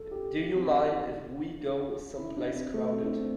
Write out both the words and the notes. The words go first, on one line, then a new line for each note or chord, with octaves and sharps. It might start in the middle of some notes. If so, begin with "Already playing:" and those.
Do you mind if we go someplace crowded?
Already playing: A4
G4
G4
C4
D4
E4
D4
C4
A3
C4
D4
C4